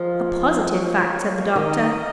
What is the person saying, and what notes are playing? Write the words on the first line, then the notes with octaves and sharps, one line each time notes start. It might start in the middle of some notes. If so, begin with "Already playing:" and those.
"A positive fact," said the Doctor.
Already playing: F3 G#3 F4 A#4
A#3 F4 C#5 F5
D#3 D#4 A#4 D#5